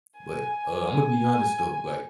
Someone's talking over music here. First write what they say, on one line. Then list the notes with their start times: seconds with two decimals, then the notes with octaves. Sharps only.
But, uh, I'm gonna be honest though, like,
0.18 G#5
0.84 G#5
1.16 G#5